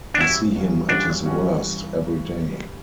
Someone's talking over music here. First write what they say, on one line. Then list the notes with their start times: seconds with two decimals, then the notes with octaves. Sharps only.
I see him at his worst every day.
0.14 D4
0.20 G2 E3 G3 C#4 E4 F#4
0.55 G2 E3 G3 C#4 F#4
0.89 G2 E3 G3 C#4 D4 F#4
1.24 G2 E3 G3 C#4 F#4